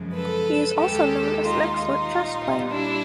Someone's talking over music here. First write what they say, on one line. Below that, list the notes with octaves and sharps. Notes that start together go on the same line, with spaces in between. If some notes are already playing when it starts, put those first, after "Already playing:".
He is also known as an excellent chess player.
Already playing: F#2 C#3 F3 G#3
A4 B4
D#2 D#3 G#3 G4 A4
D#4 F4
D#4 F4
A#2 G3
D4 E4